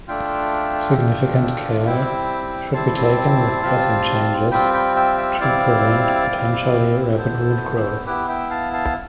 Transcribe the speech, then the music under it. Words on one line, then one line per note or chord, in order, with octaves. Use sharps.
Significant care should be taken with dressing changes to prevent potentially rapid wound growth.
A3 D4 F4 E5 G5
A3 D4 F4
G3 C4 E4 G5 B5
G3 C4 E4 A5 C6
G3 C4 F4
G3 C4 F4 G5 B5
G5 B5
E5 G5
E5 G5
G3 C4 E4 D5 F5
G3 C4 E4
B3 E4 A4 C5
B3 E4 G4 B4
E5 G5
F5 A5
F5 A5